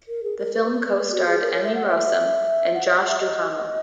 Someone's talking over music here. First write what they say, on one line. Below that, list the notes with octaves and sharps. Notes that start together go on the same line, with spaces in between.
The film co-starred Emmy Rossum and Josh Duhamel.
A#4
G#4
A#4
B4
B4
B4
B4
B4
F#4
G#4
A#4
C#5
E5
F#5
E5
F#5
E5
F#5
E5
D#5